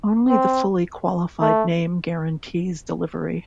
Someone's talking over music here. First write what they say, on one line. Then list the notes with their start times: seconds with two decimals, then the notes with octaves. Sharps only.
Only the fully qualified name guarantees delivery.
0.30 C4
1.41 A3